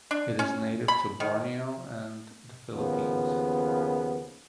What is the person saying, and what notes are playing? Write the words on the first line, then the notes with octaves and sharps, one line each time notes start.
It is native to Borneo and the Philippines.
D4
C#4
B5
D#3
D#2 C#3 F3 B3